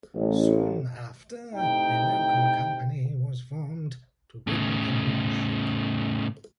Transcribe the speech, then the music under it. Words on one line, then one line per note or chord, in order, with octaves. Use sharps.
Soon after, a local company was formed to build a new ship.
A1
A2 C3 D#4 G5
A2 C#3